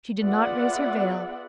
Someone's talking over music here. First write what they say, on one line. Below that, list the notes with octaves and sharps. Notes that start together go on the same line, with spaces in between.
She did not raise her veil.
B3 F4 G#4 D5 E5 F#5